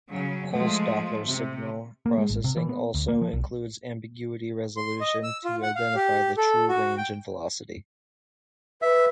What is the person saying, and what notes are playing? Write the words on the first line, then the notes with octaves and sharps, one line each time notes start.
Pulse-Doppler signal processing also includes ambiguity resolution to identify true range and velocity.
C#3 F#3
F3 G#3 A3
C3
A#3
G#3
G#1
C3
E3
B3
D2
A#3
F3
B1
C6
D#5
E6
F4
F#5
F5
G4
A4
F#4
G5
B4 E5